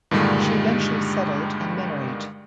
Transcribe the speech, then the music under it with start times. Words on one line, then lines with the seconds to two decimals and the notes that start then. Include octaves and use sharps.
She eventually settled and married.
0.11 G2 A#2 D3 D#3 G3 G#3